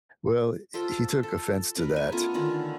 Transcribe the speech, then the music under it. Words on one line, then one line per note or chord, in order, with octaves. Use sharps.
Well, h he took offense to that
F4 A4 C5 G5
A4
C#4 A#4 B4
G#5
A3 B3 C#4 F4
D3 D#3 C#4 F4